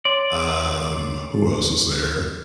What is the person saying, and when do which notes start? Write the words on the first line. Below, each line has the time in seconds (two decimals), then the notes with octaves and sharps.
Um, who else was there?
0.05 C#5 D5 C6 D7